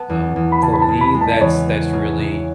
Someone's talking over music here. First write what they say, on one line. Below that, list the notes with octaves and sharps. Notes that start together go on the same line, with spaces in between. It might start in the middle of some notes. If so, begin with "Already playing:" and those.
um, for me, that's that's really
Already playing: B3 A5
E2
E2
B5
C#3 A5
B5
A5
C#3
B5
G#3
A5
E2 C#5
B3
C#3
C#3